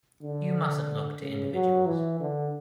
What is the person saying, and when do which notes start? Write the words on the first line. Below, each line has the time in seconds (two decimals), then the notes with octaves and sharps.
You mustn't look to individuals.
0.22 D3
1.20 C#3
1.53 F#3
1.86 E3
2.20 D3